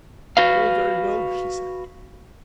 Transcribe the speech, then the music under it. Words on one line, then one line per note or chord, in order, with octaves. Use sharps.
"All very well," she said.
F#4 B4 F5